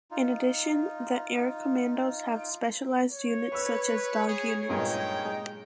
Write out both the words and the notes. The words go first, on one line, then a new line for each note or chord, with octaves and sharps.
In addition the air commandos have specialized units such as dog units.
D#4 F4
C#5
B4 C#6 E6
G#4
G2 A#2 G#3 D#4 G5
G#3